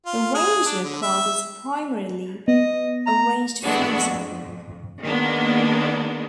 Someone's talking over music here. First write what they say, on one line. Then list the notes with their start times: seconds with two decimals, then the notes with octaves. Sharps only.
The ranger class is primarily a ranged fighter.
0.06 F4
0.35 G#4
0.66 D4
0.84 D3
1.02 E5
2.48 B3 D#5
3.06 A#5
3.64 E3 G#3 A3 B3 D4 F#4
3.99 F2
5.03 D#3 G#3 A#3 B3 D4